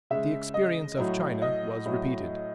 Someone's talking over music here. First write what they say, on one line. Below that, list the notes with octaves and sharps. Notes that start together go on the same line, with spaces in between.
The experience of China was repeated.
C#3 G#3 E5
D#5
A2 F#3
D#5
A2 F#3